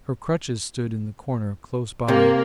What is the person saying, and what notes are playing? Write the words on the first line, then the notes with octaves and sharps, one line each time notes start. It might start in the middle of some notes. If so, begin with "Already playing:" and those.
Her crutches stood in the corner close by.
C3 A#3